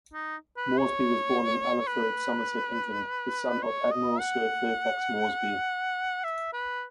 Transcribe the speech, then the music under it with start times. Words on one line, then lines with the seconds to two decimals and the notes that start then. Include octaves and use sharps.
Moresby was born in Allerford, Somerset, England, the son of Admiral Sir Fairfax Moresby.
0.13 D#4
0.57 B4
0.78 C#5
1.87 B4
3.62 C#5
3.91 D#5
4.19 F#5
6.24 E5
6.53 B4